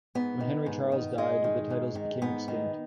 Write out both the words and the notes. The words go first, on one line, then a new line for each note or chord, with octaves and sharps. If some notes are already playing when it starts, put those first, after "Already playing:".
When Henry Charles died, the titles became extinct.
G#2 B3
D#3
G#2
D#3
G#2 G#3
D#3
G#2
D#3
G#2 B3
D#3